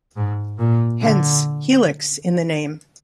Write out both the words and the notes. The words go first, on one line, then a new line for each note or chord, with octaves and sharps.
Hence "helix" in the name.
G#2
A#2
D3